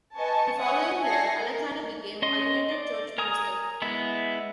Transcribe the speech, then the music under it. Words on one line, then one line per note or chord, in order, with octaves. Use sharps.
The following year, Alexander became a United Church minister.
B4 D#5 G#5 A5 C#6
C#5 E5 F#5 G#5 C#6 D#6
E5 G#5 A5 A#6 C7 C#7
A#4
C#4 D#5 C6
D5
A#4 G#5 A#5 D#6
G#3 B3 E4